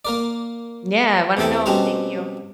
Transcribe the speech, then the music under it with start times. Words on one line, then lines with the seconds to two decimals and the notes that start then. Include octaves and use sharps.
Yeah, I wanna know. Thank you.
0.05 A#3 A#4 D5
1.37 E2 C3 E3 E4 A4 G5
1.66 B2 G3 C4 C#4 A5 A#5